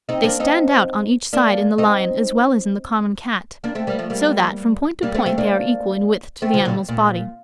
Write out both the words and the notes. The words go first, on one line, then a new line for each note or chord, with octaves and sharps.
They stand out on each side in the lion, as well as in the common Cat; so that, from point to point, they are equal in width to the animal's body.
C4 D#4
A#3 D4
C4 D#4
A#3 D4
C4 D#4
A#3 D4
A3 C4
G3 A#3
F3 A3
G3 A#3
G3 A#3
A3 C4
A3 C4
A#3 D4
A3 C4
D3 F3
A#2 D3
A#2